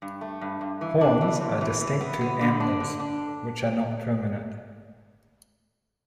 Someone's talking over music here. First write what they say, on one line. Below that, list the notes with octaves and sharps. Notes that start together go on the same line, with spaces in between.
Horns are distinct to antlers, which are not permanent.
G2
A3
G2
G2
E3
D4
E3
C3
E3
E3
B3
B3
D3
D4
D3
D4